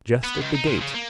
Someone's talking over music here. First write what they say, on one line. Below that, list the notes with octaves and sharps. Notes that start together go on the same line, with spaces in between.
Just at the gate.
B3
C#2
D#4
A#2
C#3
A#3